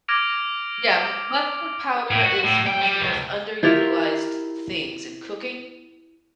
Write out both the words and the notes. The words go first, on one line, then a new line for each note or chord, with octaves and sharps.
Yeah, m mustard powder is one of the most underutilized things in cooking.
D6 F6 G#6 A#6 D7 F7
A2
F#4
A2
G5
G3
C#2
E4 F4 G4 A#4